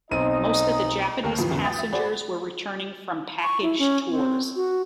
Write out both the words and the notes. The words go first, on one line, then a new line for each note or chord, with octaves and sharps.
Most of the Japanese passengers were returning from package tours.
B1 C4 D#4 D#5 D#7
D#2 A#4 G5
F2 A2 E3 F3
B1 E2 C#3
E5 F#5 G5 D#6 A6
E5
F#4 G#4 C5 D5 B5
C#6
E4
C#4
C4
F#4